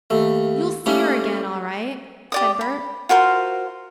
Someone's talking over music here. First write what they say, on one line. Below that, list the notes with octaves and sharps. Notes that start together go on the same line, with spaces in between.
"You'll see 'er again all right," said Bert.
D#2 A3
G3 A3 A#3 C#4
G4 D5 D#6
B5
F4 F#4 A#4 C5